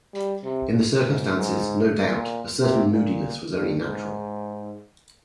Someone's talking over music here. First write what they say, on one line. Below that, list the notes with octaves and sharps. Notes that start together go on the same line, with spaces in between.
In the circumstances, no doubt, a certain moodiness was only natural.
G3
C3
G#2
G#2
A#2
C3
A#2
G2
G#2